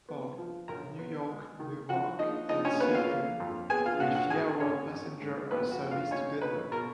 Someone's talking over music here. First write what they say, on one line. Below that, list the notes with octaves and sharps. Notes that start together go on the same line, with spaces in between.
Paul, New York Newark, and Seattle, with year-round passenger air service to Denver.
B3
F3
B1 A#4 A#5
B3
G#3
D#3
F3 F#4 F#5
F3 D#4 D#5
F3 D#4 D#5
C#4 C#5
A#3 B3 B4
F4 F5
A#3
F2
B3 G#4 G#5
F4 F5
A#2 F#4 F#5
F#4 F#5
G#1 G#4 G#5
G#1 C#4 C#5
G#1
G#2
F2 B3 B4
F#4
F2
F4 F5
C#4 D#4 C#5
D#4 B4 B5
B2 A#4 A#5